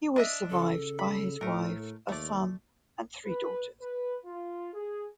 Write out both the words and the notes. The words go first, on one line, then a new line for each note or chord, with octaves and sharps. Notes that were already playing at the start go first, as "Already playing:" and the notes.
He was survived by his wife, a son, and three daughters.
D4 D#5 E5
C#3 A4
B5
A2 A3 A#4
D#2 A3 D5
B4
B4
F4
G#4